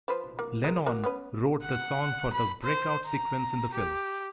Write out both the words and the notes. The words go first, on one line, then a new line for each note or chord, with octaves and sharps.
Lennon wrote the song for the "break-out" sequence in the film.
F3 B4 C5
A#3
G#3 A#4
A#3 F#4
B3 C#4 B4
F#5
B5
C5
A#5
G4